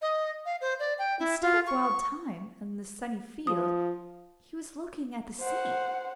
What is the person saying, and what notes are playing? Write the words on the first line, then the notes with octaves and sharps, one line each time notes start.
Instead of Wild Thyme and the sunny field, he was looking at the sea.
D#5
F5
C5
D5
G5
E4
F4
C#6
F3 D#6
C5 F#5